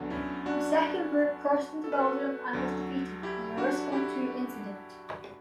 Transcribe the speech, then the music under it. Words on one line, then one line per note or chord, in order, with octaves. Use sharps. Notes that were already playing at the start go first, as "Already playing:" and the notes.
The second group crossed into Belgium and was defeated in the Risquons-Tout incident.
Already playing: D2 D3 F#3 B3 D4
C#4 E4
D4 F#4
A4
B4
F#4 A4
D2 D3 F#3
E4 G4
D4 F#4
E4 G4